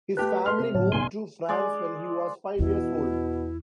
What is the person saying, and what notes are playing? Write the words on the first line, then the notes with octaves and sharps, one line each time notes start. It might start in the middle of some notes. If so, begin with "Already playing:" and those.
His family moved to France when he was five years old.
A3 G4 B4 A5
A4 C6 F6
C3
G1 A2 F#3 A5
F1 B1 G#5 C6
G#3 D5
E2 B2 E4